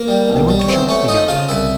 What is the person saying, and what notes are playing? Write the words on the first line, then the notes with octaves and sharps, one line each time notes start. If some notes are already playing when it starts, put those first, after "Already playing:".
'They want to shut up the yard.'
Already playing: A#3 A#4
G3
B1
G3
C#5
E2 C4 C5
A3 C#4 C#5
F3 D#4 D#5
C#3 F4 F5
C2 E4 E5